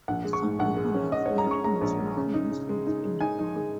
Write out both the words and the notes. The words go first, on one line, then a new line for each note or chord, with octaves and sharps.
Some people have heard him smacking his lips in the barn.
A#1 F#5
G#3
C#6
G#2
A#1 F#5
G#3
C#4
G#3 D#5
C#5
G#3
A#5
C#4 C#6
G#3 A#5
A#1
G#3
C#3
D#4
C#3
G#3
D#4
G#3
D#4 G#5
D#4
G#3